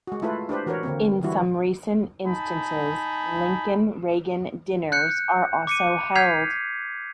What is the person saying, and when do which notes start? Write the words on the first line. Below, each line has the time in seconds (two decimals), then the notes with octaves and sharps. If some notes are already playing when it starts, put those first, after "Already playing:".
In some recent instances Lincoln-Reagan dinners are also held.
0.07 G#3 F#4
0.22 A3 E4 F4 A4 B4
0.49 D4 G4 B4 C5
0.66 E3 F#4 A#4 B4 C#5
0.83 D3 A#3 C4
1.23 E3 G3 E4 F#4
2.26 D#4 G#5 A5 B5
4.92 F#6 G6 C#7
5.67 D6 C#7 D#7
6.16 F6 G6 G#6 B6 C7 F7